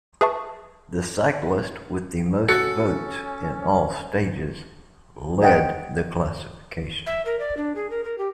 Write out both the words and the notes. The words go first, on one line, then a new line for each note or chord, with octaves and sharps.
The cyclist with the most votes in all stages lead the classification.
G#4 B4 E5 A5 C#6
C#4 F#4 A4 C#7
D#5 F#5 G5
E5
A#4
D5
D4
G#4
A#4
A#4
G4